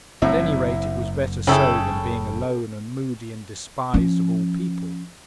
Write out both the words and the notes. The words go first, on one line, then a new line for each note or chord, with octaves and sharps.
At any rate it was better so than being alone and moody and despised of all people.
F#1 C2 A2 C4 E4
C#3 C#4 E4 G#4 A4 G5
F3 C#4